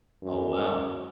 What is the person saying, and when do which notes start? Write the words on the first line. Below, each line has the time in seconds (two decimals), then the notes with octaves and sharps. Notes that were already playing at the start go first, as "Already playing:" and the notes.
Oh, wow.
0.22 F#2